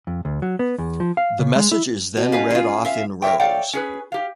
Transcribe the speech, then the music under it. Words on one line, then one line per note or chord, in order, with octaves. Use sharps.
The message is then read off in rows.
F2
D2
F#3
B3
E2
F3
F5
C#3
G#3
E4
B2
C#4 B4 F5
F4 G#4
E5 F5
A#4 C#5 E5 G5
A4 C#5 D5 F5 G5
C#4 G#4 B4
G4 F5